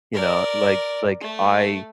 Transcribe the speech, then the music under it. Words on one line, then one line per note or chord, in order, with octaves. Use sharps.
You know? Like like, I,
A#4 D5
A3